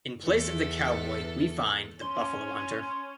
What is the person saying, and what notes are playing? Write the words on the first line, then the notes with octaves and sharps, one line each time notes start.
In place of the cowboy we find the buffalo-hunter.
E2 A4
C#4 C6